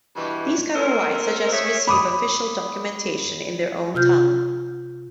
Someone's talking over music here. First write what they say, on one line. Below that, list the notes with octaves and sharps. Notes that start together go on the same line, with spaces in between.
These cover rights such as to receive official documentation in their own tongue.
G2 B2 E3
A#3 C4 A4 A#4
A3 G#4 C#5 E5
B5 D6 D#6
C3 F4 F6 G6